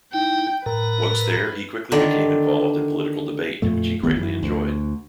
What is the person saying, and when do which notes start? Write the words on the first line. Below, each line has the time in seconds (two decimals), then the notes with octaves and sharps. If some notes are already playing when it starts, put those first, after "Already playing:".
Once there, he quickly became involved in political debate, which he greatly enjoyed.
0.13 D#4 E4 G5
0.66 A2 A#4 B4 A#5
1.92 D3 D#3 D5
3.62 F2 A#2 A3
4.03 G#1 D2 D#3 B3
4.16 F#2 E3
4.43 D2